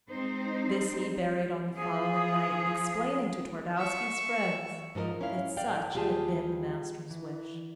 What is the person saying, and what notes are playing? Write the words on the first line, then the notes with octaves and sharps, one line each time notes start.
This he buried on the following night, explaining to Twardowski's friends that such had been the master's wish.
G#3 C4 D#4 C5
F3 G#4
E5 C#6
G#2 F3 A4 A#4 D#5
G#2 C#4 E4 F5
A2 D5 F5 G5
D#2 G3 F4 G4 G#4 A5
E3